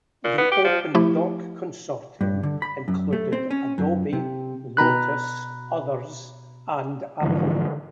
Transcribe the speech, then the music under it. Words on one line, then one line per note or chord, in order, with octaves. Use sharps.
The OpenDoc consortium included Adobe, Lotus, others, and Apple.
A#2
B3
G4
F3
F3 A3 E4 G4
G2
D3
B5
F#2
A3
C4
C#4
F#2
C3
B2 A#5 B5 F#6
G#2 D3 E3 F3